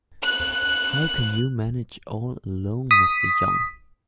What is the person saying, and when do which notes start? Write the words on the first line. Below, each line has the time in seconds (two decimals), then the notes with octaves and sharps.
How can you manage all alone, Mr Young.
0.24 F#6
2.91 D#6 B6